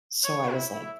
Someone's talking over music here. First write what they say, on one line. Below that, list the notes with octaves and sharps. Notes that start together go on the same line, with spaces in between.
so I was, like,
C#5
E4